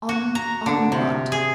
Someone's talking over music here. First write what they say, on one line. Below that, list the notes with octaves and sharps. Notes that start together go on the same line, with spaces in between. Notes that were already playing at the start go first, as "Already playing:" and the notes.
"On--on what?"
F#4
A#5
D3
C3
G#4